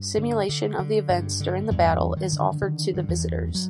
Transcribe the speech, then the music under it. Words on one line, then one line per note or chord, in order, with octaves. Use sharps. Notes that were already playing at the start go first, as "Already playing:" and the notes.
Simulation of the events during the battle is offered to the visitors.
Already playing: G2
D3
D3
D3
G2
D3
E2 G2 E3
G2
D#3
D3
D3 D#3
G2 D#3
E2 E3
G2
F#3